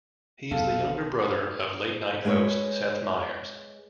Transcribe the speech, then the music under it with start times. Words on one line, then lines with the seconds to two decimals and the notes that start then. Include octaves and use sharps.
He is the younger brother of "Late Night" host Seth Meyers.
0.51 B1 F2 A4 F5
2.25 G#3 G#4 B4 C#5